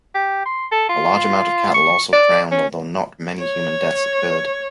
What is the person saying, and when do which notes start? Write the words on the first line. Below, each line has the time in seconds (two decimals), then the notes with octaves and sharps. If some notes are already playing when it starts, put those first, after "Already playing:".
A large amount of cattle also drowned although not many human deaths occurred.
0.15 G4
0.45 C6
0.72 A4
0.89 F4
1.74 C#6
2.13 D5
2.51 C#4
3.40 C#5